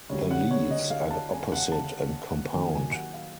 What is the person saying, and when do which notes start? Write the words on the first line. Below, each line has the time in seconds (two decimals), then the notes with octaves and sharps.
The leaves are opposite and compound.
0.09 D2 D3 G3 C#5
0.31 F#5
0.51 C#5
0.71 D#5
0.90 F5
1.11 A5
1.31 G#5
1.52 F#5
1.72 A5
2.52 D#2 D#3 F#3 G#5
2.73 G#5
2.92 F#5
3.13 F5